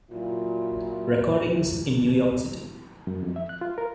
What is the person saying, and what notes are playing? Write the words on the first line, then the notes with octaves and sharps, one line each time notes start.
Recordings in New York City.
A#2 F#3 E4 F4
F#2
F2
E5
F#6
F4
A#4